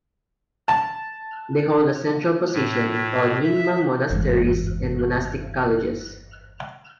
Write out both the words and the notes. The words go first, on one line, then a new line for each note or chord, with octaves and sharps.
They hold a central position in all Nyingma monasteries and monastic colleges.
A5
A2
E5
G1 E2 G#2